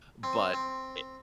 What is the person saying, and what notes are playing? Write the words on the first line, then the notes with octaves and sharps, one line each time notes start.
but i
C4
C4